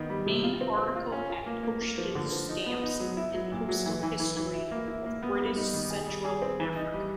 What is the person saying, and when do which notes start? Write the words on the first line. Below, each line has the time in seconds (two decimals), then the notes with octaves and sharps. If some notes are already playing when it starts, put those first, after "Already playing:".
Main article at Postage stamps and postal history of British Central Africa.
Already playing: D#3 B3
0.10 G3
0.26 C3
0.44 F4
0.61 C4
0.78 C4
0.96 F4
1.12 C#4
1.29 F4
1.46 A#3
1.63 A#3
1.81 A#3
1.98 F3
2.15 D3
2.32 F3
2.49 D#4
2.66 B3
2.83 D#4
3.00 F#3
3.17 E4
3.34 F#3
3.52 A#2
3.69 F#3
3.86 E3
4.03 E3
4.20 E3
4.37 E3
4.54 E4
4.71 A#3
4.88 E4
5.06 A#3
5.23 B3
5.40 G3
5.57 D#4
5.73 D#3
5.90 G#4
6.08 G3
6.25 G#4
6.42 C4
6.60 E3
6.76 D#4
6.94 G3